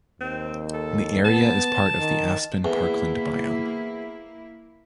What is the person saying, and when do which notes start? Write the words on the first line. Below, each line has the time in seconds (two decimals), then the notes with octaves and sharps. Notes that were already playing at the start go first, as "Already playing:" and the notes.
The area is part of the aspen parkland biome.
0.21 D#2 C4
0.74 A4
1.25 B3 A5
1.99 D#3
2.65 E2 A#3 E4